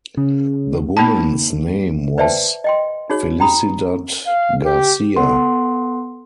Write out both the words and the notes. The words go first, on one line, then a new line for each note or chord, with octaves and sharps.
The woman's name was Felicidad Garcia.
C#3
A#3 D#4 A5
B4 C5 D5 E5 G5 A5
D#5 G5 C6
D#4 F#4 G#4 C#5
G5 A#5 B5 D#6
F5
G4
B3 A4 F#5 C6